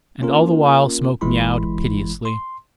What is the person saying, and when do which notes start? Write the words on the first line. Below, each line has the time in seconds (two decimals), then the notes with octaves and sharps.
And all the while Smoke meowed piteously.
0.21 A#3 C#4 F4 A#4
1.21 G1 E3 G#3 E4 B5 C6
2.25 C6